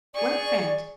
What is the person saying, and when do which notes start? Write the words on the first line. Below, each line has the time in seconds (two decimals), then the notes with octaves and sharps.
"What friend?"
0.14 G#4 D5 C#6